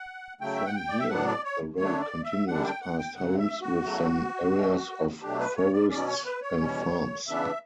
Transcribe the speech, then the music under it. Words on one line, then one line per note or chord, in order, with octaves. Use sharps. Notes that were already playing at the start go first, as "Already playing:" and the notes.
From here, the road continues past homes with some areas of forests and farms.
Already playing: F#5
C#3 F#3 A3 G5
E5
F#5
G5
D5
E5
A2 F#3 B3 D4 F#5
D5
C#5
F#2 D3 A3 D4 C#5
D5
E5
F#2 D3 G3 D4 F#5
G5
F#5
G5
F#2 C#3 F#3 F#5
E5
F#4
E2 C#3 F#3 A3
B2 A3 C#4
B2 F#3 A3 D4 G4
B4
C#5
D5
B2 F#3 C#4 D5
C#5
B4
C#5
E2 B2 G3 C#4
C#3 E3 B3 D4 E5